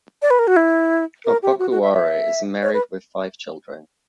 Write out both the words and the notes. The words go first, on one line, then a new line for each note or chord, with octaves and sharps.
Opoku Ware is married with five children.
D5
B4
A#4
F#4
E4
A#4
G4
F#4
F#4
E5
E5
C#5
B4